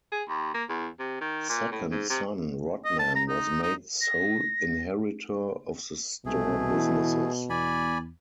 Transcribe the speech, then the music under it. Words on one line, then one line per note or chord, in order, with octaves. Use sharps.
Second son Rodman was made sole inheritor of the store businesses.
G#4
D#2
A#3
E2
C3
D#3
A#2
A2
G#2
C3
D#5
A5
A#5
D#4
D#4
A#6
C2 B2 A3 G#4
E3
E2 D5 G#5 B5